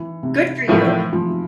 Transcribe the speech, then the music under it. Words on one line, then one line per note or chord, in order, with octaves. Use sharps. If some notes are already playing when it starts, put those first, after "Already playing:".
Good for you.
Already playing: E3
C3
A2 E3 F3 A3 E4 A#4
F3